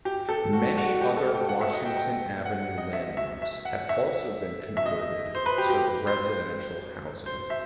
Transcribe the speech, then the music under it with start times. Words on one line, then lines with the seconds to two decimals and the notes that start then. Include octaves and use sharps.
Many other Washington Avenue landmarks have also been converted to residential housing.
0.05 G4
0.29 A4
0.53 F#4
0.77 F#4
1.01 G4
1.17 A4
1.34 G5
1.49 F#5
1.61 E5
1.73 D#5
1.85 G5
1.97 G5
2.45 F#5
2.62 F#5
2.78 D#5
2.93 E5
3.17 E5
3.42 E5
3.65 F#5
3.89 E5
4.77 E5
4.86 D#5
5.35 C5
5.46 B4
5.58 G4
5.70 G4
6.07 C5
7.26 C5
7.50 E5